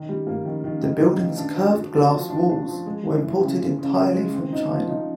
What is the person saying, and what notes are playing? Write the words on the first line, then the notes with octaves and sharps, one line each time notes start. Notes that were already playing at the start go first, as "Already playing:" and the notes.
The building's curved glass walls were imported entirely from China.
Already playing: D#3
G3
A#3
D#3
D#3
D#3
D#3
D#3
D4
F#4
F#4
F#4
F3
D4
D4
F3
G#3
E3
E3
C#3
C#3
C#3
C#3
G#3
C4
D#4
F3
D#4